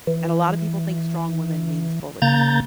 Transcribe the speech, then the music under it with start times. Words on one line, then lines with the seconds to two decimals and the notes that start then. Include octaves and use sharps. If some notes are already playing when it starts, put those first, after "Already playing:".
and a lotta people think strong woman means bully.
0.07 E3
2.22 C#3 A#3 A#5 G6 A6